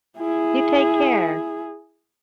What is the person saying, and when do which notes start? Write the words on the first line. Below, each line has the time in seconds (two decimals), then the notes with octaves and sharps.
You take care.
0.18 E4 G#4